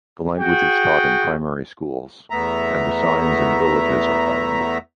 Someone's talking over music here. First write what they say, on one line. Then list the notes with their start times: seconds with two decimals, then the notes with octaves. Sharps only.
The language is taught in primary schools and the signs in villages are bilingual.
0.38 F#4 G#4 G5
2.30 E2 A3 B3 E5 A#5